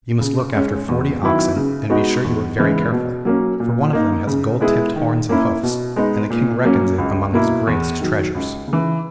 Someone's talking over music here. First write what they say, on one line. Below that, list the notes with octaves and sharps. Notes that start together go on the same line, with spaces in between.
You must look after forty oxen, and be sure you are very careful, for one of them has gold-tipped horns and hoofs, and the king reckons it among his greatest treasures.'
C#3
G#3 C#4
E2
D#3 F#3 B3 E4
C#3
G#3 B3 D#4 F#4
E2
C#3 E3 G#3 B3
B2
F#3 A#3 C#4
A#2
A#3 D#4
C#3
G#3 B3 E4 G#4
D#3
A#3 C#4 E4
B2
G#3 B3 D#4
A#2
F#3 A#3 C#4
C#2
B2 A#3 E4
E2
D#3 F#3
C#2
C#3
E3